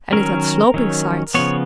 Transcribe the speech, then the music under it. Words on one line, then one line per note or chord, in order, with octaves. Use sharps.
And it had sloping sides.
D#3 F#3 C#4 A#4
D#3 F#3 C#4
C#3 F3 B3 C#5